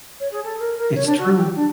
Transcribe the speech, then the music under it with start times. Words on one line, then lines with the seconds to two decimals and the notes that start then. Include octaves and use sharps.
It's true.
0.20 C#5
0.32 G#4
0.44 A4
0.59 A#4
0.78 A#4
0.95 C#5
1.06 D4
1.18 F#4
1.37 G4
1.55 D4